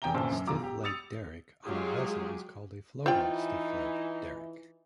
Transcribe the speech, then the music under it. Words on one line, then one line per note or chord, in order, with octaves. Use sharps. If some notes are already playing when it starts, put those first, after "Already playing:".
Stiffleg derrick on a vessel is called a floating stiffleg derrick.
F1 E2 G5 G#5 A#5 G7
G1 A#2 C#4 C5 A5 E6
F#2
E1 F4 A#5 D6
G4
D#6 E6 A6 C#7 F7
F#3 G#3 F4 G4 G#4
E3 D#4 F4 C5 D5 G5